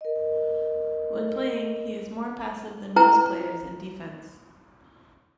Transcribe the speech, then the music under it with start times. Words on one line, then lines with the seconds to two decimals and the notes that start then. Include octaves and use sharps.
When playing, he is more passive than most players in defense.
0.01 A#4 D#5
2.96 E4 B4 G5 A#5